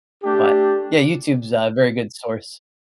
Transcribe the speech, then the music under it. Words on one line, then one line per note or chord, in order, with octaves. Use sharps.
but yeah, YouTube's a very good source,
A3 D4 G4